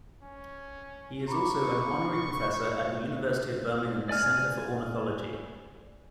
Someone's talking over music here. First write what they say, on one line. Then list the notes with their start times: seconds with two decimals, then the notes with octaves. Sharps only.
He is also an honorary Professor at the University of Birmingham's Centre for Ornithology.
0.22 C#4
1.28 A#5 B5 C#6 D6
4.09 D5 G#5 F6